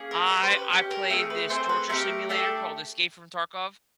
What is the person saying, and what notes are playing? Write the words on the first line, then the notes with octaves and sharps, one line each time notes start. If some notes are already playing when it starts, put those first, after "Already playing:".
I I play this torture simulator called Escape from Tarkov.
Already playing: A#3 C#4 G#4
A#4
C#4 E4 G4 A#4
C5
B4
C#4 E4 G4
A#4
A3 C4 G#4 A#4
B4
A3 C4 G#4 C5
B4
A3 D4 G4 A#4
A3 D4 G4 A4